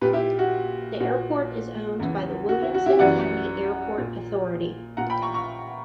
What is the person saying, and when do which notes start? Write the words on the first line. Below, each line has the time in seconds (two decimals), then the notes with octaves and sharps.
The airport is owned by the Williamson County Airport Authority.
0.01 A#2 G4 B4
0.13 E4 G4
0.39 F#4
1.00 A#2 F#4
1.99 E2 C#3 E3
2.49 F#4
2.62 E4
2.74 F#4
2.86 E4 G4
2.99 F#2 E3 D5 F#5
3.98 A#2
4.97 A#2 F#5 A#5
5.10 G5 B5
5.22 A#5 C#6
5.34 A#5 C#6